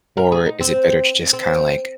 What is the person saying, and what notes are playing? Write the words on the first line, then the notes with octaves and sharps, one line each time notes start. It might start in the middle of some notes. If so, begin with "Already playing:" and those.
or is it better to just kinda, like,
A#4
G#4
D#4
C4
C4